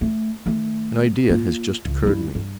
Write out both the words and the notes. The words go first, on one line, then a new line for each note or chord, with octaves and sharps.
"An idea has just occurred to me."
A3
D#3 A3
A#3 F4
C#2
G2 E4
G2